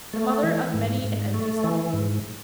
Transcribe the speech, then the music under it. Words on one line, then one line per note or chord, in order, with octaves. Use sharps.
The mother of many an empty stomach.
A3
E3
G#2
G#2
A3
E3
G#2